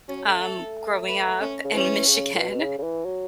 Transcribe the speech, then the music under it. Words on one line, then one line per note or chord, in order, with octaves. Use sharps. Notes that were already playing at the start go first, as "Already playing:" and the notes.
um, growing up in Michigan
F#3 C#4
A3
A4
B4
C#4
C#3
E3 C#4
C#3
A2
B2
C#3
C#3
E3
F#3